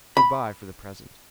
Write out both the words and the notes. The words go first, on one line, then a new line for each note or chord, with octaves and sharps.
Good-bye for the present!
B5